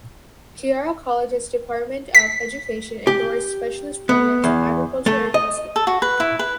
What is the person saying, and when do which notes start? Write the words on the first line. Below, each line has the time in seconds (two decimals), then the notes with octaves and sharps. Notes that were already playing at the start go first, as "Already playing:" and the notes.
Kiara College has Department of Education endorsed specialist programs in agriculture and basketball.
2.15 B6
3.07 G4
4.09 B3
4.44 E2
5.06 A3
5.34 D#5
5.76 A4
5.87 F#4
6.02 B4
6.20 E4
6.39 B4